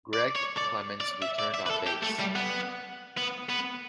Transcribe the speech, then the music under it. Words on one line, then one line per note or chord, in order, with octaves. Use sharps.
Gregg Clemons returned on bass.
D5
C#5
D5
D5
E5
D5
E5
B4
A4
G4
A3
G3
B3
B3
B3